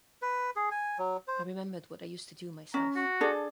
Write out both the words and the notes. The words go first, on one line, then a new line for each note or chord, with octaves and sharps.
I remembered what I used to do myself.
B4
G#4
G#5
F#3
C5
C#4 A#5
F#4
D4 G#4 A4